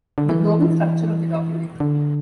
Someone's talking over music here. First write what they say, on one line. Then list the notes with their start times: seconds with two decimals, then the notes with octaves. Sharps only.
The global structure of the document.
0.18 D3
0.29 E3
1.80 D3